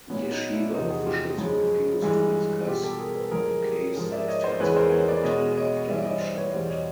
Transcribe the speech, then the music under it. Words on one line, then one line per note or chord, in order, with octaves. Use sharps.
Yeshiva officials refused to discuss the case extensively until after Shabbat.
A#2 F#3 B3 C#4
C#4 D#4
D4 E4
E2 C3 F3 D#4 F4
F#4 G#4
F4 G4
F#2 C#3 F3 G#3
G2 E3 G#3
B2 G3 F4 G4
G4 A4
G#4 A#4
A4 B4
F#2 D3 F3 G#3 G#4 A#4
G4 A4
G#2 F3 G#3 G#4 A#4
D5 E5
C#5 D#5
C5 D5
E2 C#3 E3 G#3 B4 C#5
A#4 C5
B4 C#5
C5 D5
B2 G#3 C#5 D#5
C#5 D#5
G2 E3 G3 D5 E5
C#5 D#5
C5 D5
B4 C#5
E2 B2 G3 C5 D5
C#5 D#5